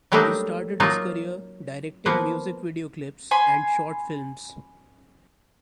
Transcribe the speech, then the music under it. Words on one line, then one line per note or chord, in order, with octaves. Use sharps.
He started his career directing music videoclips and short films.
F#3 G3 A3 A#3 D4 D#4
F#3 A#3 D#4 F4
F3 A#3 B3
G#5 B5 C6